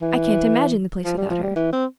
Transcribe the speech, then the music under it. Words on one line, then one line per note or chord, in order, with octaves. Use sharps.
I can't imagine the place without her.
E3
F3
G3
F3
G3
E3
C4